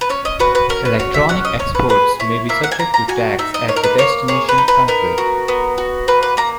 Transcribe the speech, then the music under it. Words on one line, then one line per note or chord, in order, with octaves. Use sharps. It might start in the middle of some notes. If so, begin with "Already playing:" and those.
Electronic exports may be subject to tax at the destination country.
B4
C#4 C#5
D#5
F#4 B4
B4
C#4 A#4
B4
F#4 C#5
E5
C#4 F#5
D#5
C#4 C#5
B4
G#4 B4
E4 C#5
A#3 E5
F#5
G#5
A#3 A#5
A#5
F#4 G#5
D#4 E5
D#5
A#3 C#5
A#4
B4
A#3 C#5
G#4 C#5
B4
D#4
B4
B3 A#4
F#4
B3
F#4
A#3 B4
B4
A#3 A#5